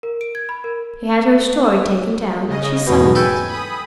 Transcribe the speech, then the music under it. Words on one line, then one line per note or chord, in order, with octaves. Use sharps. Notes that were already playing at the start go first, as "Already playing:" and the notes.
He had her story taken down, and she signed it.
A#4
D7
G#6
B5
A#4
C#3 D#5
E2 G#2 B2
A4 B4 G5 G#5
B5 D#6